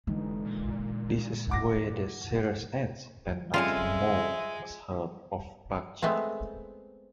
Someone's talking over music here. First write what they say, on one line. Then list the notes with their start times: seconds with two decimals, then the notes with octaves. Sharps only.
This is where the series ended and nothing more was heard of Budgie.
0.07 F1 D3 E3 G#3 D#4
0.45 A#2
1.50 E4 F#5 D6 A#6
3.54 F2 C#3 G3 G#3 F4 E5
6.02 G#3 A3 B3 C4